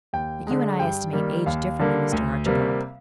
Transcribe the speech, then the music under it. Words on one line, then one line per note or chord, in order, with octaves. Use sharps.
But you and I estimate age differently, Mr. Archibald.
D#2 G5
D3 G#3
G2 G5
D#3 G3 A#3
D#2 F5
D3 G3 A#3
D2
C3 G3 A#3